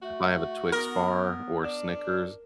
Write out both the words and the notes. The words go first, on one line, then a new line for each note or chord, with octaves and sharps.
if I have a Twix bar or Snickers
A3 F#4
B3 A#4
D4